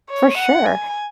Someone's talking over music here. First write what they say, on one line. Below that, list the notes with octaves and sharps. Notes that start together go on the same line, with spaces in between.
For sure.
C#5
F#5
G#5